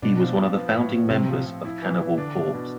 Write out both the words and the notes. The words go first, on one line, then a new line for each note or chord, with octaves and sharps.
He was one of the founding members of Cannibal Corpse.
B2 D4
F3
F3
B3
A2
A2
C3 C4
F3
F3
E4
E3
E3
D3 D4
B2
B2